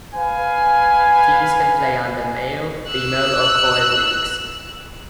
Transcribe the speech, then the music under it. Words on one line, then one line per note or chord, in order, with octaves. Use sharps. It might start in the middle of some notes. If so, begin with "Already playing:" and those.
Teams can play under male, female, or coed leagues.
B4 F5 G#5
E6 F#6